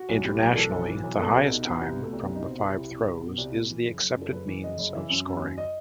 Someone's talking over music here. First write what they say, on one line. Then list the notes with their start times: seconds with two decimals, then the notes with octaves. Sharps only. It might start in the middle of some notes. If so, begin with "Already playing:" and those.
Internationally, the highest time from the five throws is the accepted means of scoring.
Already playing: F#4
0.09 B1
0.24 A2 G4
0.41 B1
0.56 E3 A4
0.72 B1
0.87 E3
1.04 B1
1.19 B2 A4
1.28 B4
1.34 C2 A4
1.50 B2 D#4
1.65 B2
1.81 C2 B3
1.97 B2
2.03 A3
2.13 C2
2.23 B3
2.28 C2
2.35 D#4
2.44 B2 C4
2.60 C2
2.76 C2 E4
2.91 C2
3.06 C2
3.22 B2
3.38 C2
3.54 B2
3.70 E3
3.85 F#1
4.00 F#1
4.16 F#2
4.22 A4
4.32 F#1 B4
4.47 E3
4.64 F#1 D#5
4.79 F#1
4.95 E3 E5
5.10 F#2
5.26 F#2
5.42 F#2
5.58 D#5